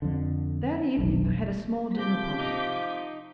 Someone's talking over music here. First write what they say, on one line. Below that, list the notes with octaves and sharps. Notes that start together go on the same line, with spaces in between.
That evening I had a small dinner-party.
F2 D3
F1 B1 D4
C3 F3 D6 G6 B6
D#4